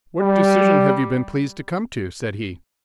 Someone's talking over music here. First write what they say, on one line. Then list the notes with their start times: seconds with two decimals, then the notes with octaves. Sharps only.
"What decision have you been pleased to come to?" said he.
0.21 G3